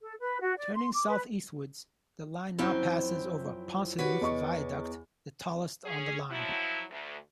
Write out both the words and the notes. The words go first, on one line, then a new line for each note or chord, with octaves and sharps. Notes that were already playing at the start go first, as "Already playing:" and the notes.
Turning south-eastwards, the line now passes over Ponsanooth Viaduct, the tallest on the line.
A4
B4
F#4
D5
C6
D6
B4
F#2 F3 C4 E4
F#4 G4 B4 C#5 D5
E2 D#5 C#6
C#4 G#4
F3 F#3 E4
D2